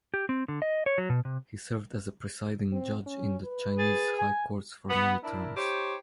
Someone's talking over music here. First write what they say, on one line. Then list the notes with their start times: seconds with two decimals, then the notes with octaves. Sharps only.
He served as a presiding judge in the Chinese high courts for many terms.
0.14 G4
0.29 C4
0.48 D3
0.62 D#5
0.86 C#5
0.98 F#3
1.10 B2
1.25 C3
2.72 C4
3.06 C#4
3.45 B4
3.78 G#4 A6
4.18 G#5
4.90 B3
5.23 D4 E4 A#4
5.56 D#4 G4 C5 C#5